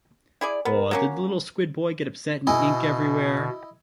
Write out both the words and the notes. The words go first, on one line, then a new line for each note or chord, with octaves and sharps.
Aw, did little squid boy get upset and ink everywhere?
E4 G#4 D5
B3 A#4
F#3 A#3 C#4
B2 E4 D#5 G#5